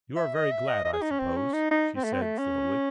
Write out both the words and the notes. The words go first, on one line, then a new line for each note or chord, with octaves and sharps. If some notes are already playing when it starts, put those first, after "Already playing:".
"You are very glad, I suppose," she said slowly.
E5
D#5
E5
D#5
D#5
G#4
D#4
C#4
C4
C#4
D#4
D#4
C4
A3
C4
A3
C#4